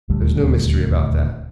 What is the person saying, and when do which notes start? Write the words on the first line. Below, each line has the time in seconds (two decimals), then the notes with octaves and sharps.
There is no mystery about that.
0.09 D#1 D2 G3